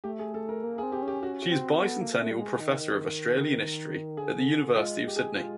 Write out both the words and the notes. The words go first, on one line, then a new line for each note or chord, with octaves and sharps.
She is Bicentennial Professor of Australian History at the University of Sydney.
A3 G4
G#4
A4
A#4
A#3
G#4
C4
G4
C#4
G4
C#4 F#4
F#4
C4
B3 A4
A#3
A#3
A3
G3
G#3
D#3
D#3
D3 G#4
D3
D3
G#3 F4
G4
G#4
F4